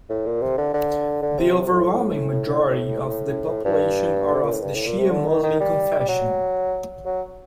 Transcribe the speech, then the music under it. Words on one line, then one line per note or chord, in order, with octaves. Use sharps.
The overwhelming majority of the population are of the Shia Muslim confession.
A2
A#2
C3
D3
D3
D3
C3
C3
A2
G2
C3
A#2
A2
G2
A2
A#2
C3
D3
D#3
D#3
G3
G3
F#3
F#3